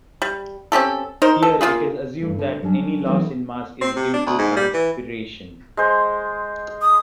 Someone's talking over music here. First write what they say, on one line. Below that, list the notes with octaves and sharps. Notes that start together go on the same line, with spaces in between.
Here it is assumed that any loss in mass is due to transpiration.
G3
C4 C#4 G4 A4
D#4 A#4 C5
A4
A#3 D#4 F4 G#4
G2 A3
D3
F#3 G3 C#4 D4
E3 F#3 A3 B3 C4 D#4
C4
C3
D4
D2
G#2
G3
E3
G#3 C5
D#6